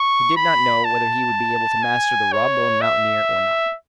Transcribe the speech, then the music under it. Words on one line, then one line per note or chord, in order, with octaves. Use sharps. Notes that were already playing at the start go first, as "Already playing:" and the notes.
He did not know whether he would be able to master the raw-boned mountaineer or not.
Already playing: C#6
B5
A5
G#5
C#5
E5